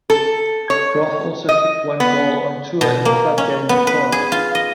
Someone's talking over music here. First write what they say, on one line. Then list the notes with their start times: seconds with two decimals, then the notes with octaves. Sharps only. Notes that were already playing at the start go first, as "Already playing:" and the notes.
Grothe also kicked one goal on tour in a club game in France.
0.10 A4
0.70 C#5
1.49 D#5
2.00 B3
2.81 B2
3.05 A#3
3.38 C#4
3.69 B3
3.87 B4
4.12 G#4
4.32 F4
4.55 D#5